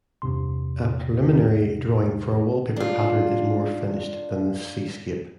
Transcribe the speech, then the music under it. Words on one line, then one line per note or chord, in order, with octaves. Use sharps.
A preliminary drawing for a wallpaper pattern is more finished than this seascape.
E2 G2 C3 C6
D4 F4